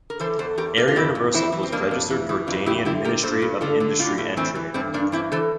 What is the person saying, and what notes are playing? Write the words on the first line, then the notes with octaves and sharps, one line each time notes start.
Air Universal was registered Jordanian Ministry of Industry and Trade.
A#4
E3 A4 C5
E2 A4 C5
E2 G4 A#4
C3 F4 A4
F4
F2 E4 G4
F2
E3 C4 E4
E3
C4
F2 A#3 D4
F2
E3
E3
F2 D4 F4
F2 E4 G4
D3 E4 G4
D3 G4 A#4
G2 A4 C5
G2
D3 F4 A4
D3
A2 D4 F4
A2
E3 A3 C4
E3
G2 A3 C4
G2 A#3 D4
E3 C4 E4
E3 A4 C5